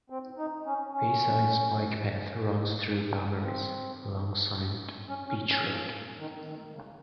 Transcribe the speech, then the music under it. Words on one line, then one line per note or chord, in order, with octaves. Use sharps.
Bayside's bike path runs through Beaumaris, alongside Beach Road.
C4
D#4
C#4
C#4
C4
C#4
C#4
C#4
F3
D#3
D#3
C#3